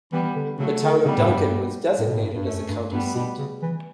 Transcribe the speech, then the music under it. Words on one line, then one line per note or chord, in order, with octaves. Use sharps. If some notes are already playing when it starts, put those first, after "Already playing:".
The town of Duncan was designated as the county seat.
E3 G3 B3
D3
C#3 F#3 A3
D3
C#3 G3 B3
A2
G2
G2
A2
B2
A2
G2
G2
F#2 A3 C#4
G2
G2 G3 B3
B2
C#3
E3